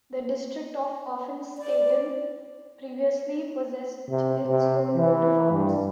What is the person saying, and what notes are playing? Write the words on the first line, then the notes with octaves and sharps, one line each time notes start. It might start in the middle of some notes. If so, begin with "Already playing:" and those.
The district of Offenstetten previously possessed its own coat of arms.
D5
C3
C3
E3
G2